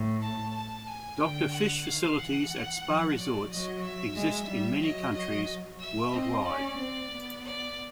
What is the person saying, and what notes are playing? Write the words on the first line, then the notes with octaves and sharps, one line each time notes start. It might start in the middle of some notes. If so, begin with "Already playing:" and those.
Doctor fish facilities at spa resorts exist in many countries worldwide.
Already playing: A2
A5
A5
G#5
D3 G5
F#5
D#3 F5
E3 F#5
F3
F#3 D5
F#3 D#5
E5
G#3
G3
F#3 D#5
D#5
E5
C4 D#5
C#4 D5
C4
B3
D5